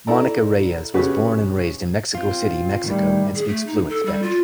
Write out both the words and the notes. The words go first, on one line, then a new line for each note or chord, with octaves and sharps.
Monica Reyes was born and raised in Mexico City, Mexico, and speaks fluent Spanish.
E4 A4 D5 A#5
C#3 F#4 G4 B4
C4 F4
A2 D#3 G3
G#4
A3
D#4
A4
G3
F4